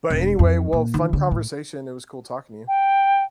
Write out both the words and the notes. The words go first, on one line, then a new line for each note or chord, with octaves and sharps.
but anyway, well, fun conversation, it was cool talking to you.
E1
F2
A#2
D#3
D3
A2
G5